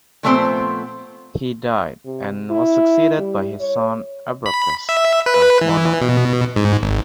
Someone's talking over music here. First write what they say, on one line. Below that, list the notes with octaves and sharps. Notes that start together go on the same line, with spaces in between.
He died and was succeeded by his son Ebraucus as monarch.
A#2 F3 A3 B3 C4 C5
C3
E4
G3
C#5
B5
E5
B4
E3
B2
G#2
G#1